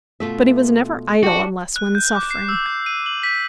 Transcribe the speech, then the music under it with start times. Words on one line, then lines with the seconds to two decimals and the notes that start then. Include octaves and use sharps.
But he was never idle unless when suffering.
0.20 B2 A3 F4 E5
1.23 D4 F#4 G4
1.76 F#6
1.95 G6
2.15 D6
2.31 C7
2.49 E6
2.66 G6
2.86 D#7
3.06 F#7
3.23 B6